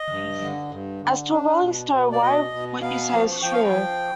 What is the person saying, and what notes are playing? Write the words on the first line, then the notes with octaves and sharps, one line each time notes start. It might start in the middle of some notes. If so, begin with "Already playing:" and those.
As to a rolling stone, why, what you say is true.
Already playing: D#5
G2
D3
G2
D3
D4
B2
B2
D5
B2 D#5
B2
B3 F5
F3
F3 G5
F5
G5
F3